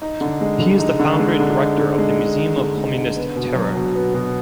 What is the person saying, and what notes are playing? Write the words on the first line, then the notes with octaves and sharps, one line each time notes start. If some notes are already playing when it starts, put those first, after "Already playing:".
He is the founder and Director of the Museum of Communist Terror.
D#4
D3
G#3
D3
D#4
D3
G#3
D3
D#4
D3
G#3
D3
D#4
D3
G#3
D3
B3
B2
F#3
B2
B3
B2